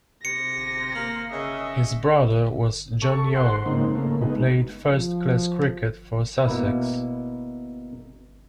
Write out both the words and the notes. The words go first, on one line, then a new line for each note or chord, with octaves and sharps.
His brother was John Young, who played first-class cricket for Sussex.
C3 A#6 C#7
A#3
C#3 D#5 E5
A4 C#6
C5 F#5 C6
G#2 C#3 A#3 C4 D#4
C#3 A3 A#3
G#3 B3 D#4
F3
B2 A#3 E4